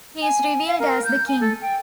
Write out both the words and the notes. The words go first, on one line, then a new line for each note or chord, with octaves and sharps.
He is revealed as the King.
G#5
F5
A#4
G6
G#5
A4
G5